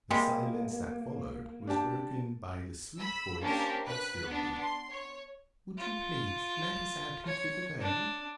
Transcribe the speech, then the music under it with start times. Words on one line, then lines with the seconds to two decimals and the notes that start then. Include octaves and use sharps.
The silence that followed was broken by the sweet voice of Sylvie. "Would you please let us out into the road?"
0.11 C3 G3 G#3 A#3
1.67 D4 G4 A5
2.98 B5 E6
3.40 A#3 C#4 D4 G4 A#4 C5
3.86 B4 F#6
4.26 B3 D4
4.60 C6
4.90 C#5
5.78 F4
7.26 C#5
7.80 D4